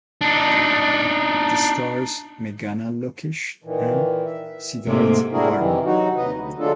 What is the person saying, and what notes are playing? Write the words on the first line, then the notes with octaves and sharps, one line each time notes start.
It stars Meghana Lokesh and Siddharth Varma.
D4 D#4
A#2 D#3 E3
E5
G#2 C3 A3 A#3
G3 D4 E4 F#4 G#4 A#4
C3 D#3 E3
F#3 D#4 F#4
D#2 C3 F#3 B4 D#5
D2
D3 F#3 G#3 D4 F4 A4